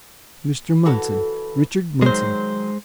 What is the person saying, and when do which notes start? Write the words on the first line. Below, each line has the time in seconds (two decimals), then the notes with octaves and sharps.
"Mr. Munson, Richard Munson."
0.85 E3 F#4 A4
2.02 D#3 F#3 G#3 C5